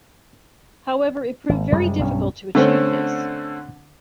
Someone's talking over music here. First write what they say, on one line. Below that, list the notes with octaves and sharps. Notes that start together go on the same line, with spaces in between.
However, it proved very difficult to achieve this.
G#1
F1 F#2 G3 G#3
B1 G2 C4 C#4
D3 A3 C4 C#4